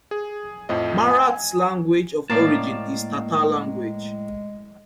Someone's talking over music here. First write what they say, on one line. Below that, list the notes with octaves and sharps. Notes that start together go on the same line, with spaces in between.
Marat's language of origin is Tatar language.
G#4
F2 A2 F3 D#5
G#5
A2 G#3 A#3 D5 F5 A5